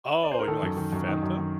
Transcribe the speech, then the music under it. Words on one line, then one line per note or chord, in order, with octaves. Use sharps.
Oh, you mean, like, Fanta?
D5
C5
A#4
D#3 A4
F#2
D#3
F#2
D#3
F#2
D#3